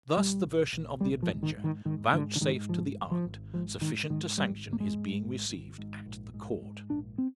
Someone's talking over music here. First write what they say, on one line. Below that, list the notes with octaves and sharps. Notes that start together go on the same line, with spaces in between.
Thus, the version of the adventure, vouchsafed to the aunt--sufficient to sanction his being received at the Court.
A#1 G3
A#1
A#1
A#1 G3
F3
G#2
D#3
G#2
D#3
G#2 D#3
G#2 D3
D3
G#2 D#3
G#1 F3
G#1
F3
G#1
G#2 F3
G#2 D#3
G#2 D#3
G#1 G3
G#2
A#3
G#3
G#2
G#1
G#1
G#2
A#1
G#2
G#2
A#1 D4
C4